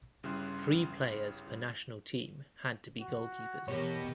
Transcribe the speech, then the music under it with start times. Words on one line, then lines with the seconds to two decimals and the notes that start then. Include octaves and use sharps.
Three players per national team had to be goalkeepers.
0.23 G1 C#3 G3 E4 C6 F#6
3.00 F#4
3.68 E2 B2 G4 A#4 C#5